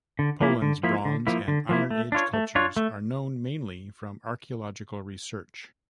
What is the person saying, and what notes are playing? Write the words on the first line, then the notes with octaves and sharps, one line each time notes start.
Poland's Bronze- and Iron-Age cultures are known mainly from archaeological research.
D3
F3 A#3 E4
D3
F3 A#3 E4
D3
F3 A#3 E4
D3
F3 A#3 E4
A3
D4 F4 C#5
A3
D4 F4 C#5
A3